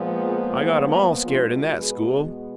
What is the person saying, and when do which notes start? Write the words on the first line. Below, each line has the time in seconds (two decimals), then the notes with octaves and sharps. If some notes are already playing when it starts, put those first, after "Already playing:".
"I got 'em ALL scared in THAT school."
Already playing: A#2 F3 G#3 B3
0.23 F4 G#4
1.26 B2 G#3 B3 D4 F4
1.79 G#4 B4